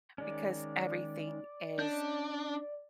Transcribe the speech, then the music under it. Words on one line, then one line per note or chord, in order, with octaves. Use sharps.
because everything is
D#3 G#3 C#4 D5
C#4 D4 D#5 G6